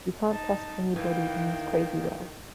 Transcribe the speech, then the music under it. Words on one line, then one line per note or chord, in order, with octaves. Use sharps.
You can't trust anybody in this crazy world.
D#4 A5
D#3 E3 F5 G5